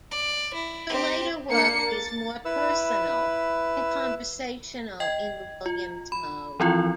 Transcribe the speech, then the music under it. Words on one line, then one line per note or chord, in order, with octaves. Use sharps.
Her later work is more personal and conversational in the Williams mode.
D5
E4
C4 G4
A#3 D4 C7 C#7
A6
E4 B4 E6
D#5 G5 G#6
F4
B5
E3 F3 C4 E4 F4